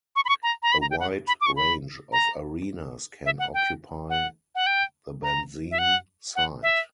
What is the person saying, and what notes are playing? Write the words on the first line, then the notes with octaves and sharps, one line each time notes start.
A wide range of arenes can occupy the benzene site.
C#6
B5
C#6
A#5
A#5
B5
A#5
G5
F#5
B5
D6
C#6
B5
A#5
E5
F#5
G5
F#5
F#5
G5
A#5
E5
F#5
F#5
E5